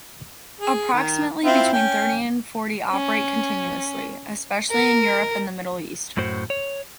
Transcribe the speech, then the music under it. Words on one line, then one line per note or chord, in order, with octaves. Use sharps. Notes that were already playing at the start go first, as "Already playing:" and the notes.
Approximately between thirty and forty operate continuously, especially in Europe and the Middle East.
G#4
D#3
C4 E4 F4
C#4 G5
C#4
A#4
F#2 A2 F#4 C5
C#5